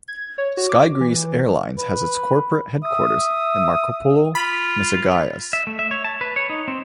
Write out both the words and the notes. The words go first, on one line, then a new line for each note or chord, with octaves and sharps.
SkyGreece Airlines has its corporate headquarters in Markopoulo Mesogaias.
G#6
C#5
F#4
D6
E3
B4
E5 D#6
F4 B5
E5
A3
E5
C#5
A5
B4
C#5
D#4
C4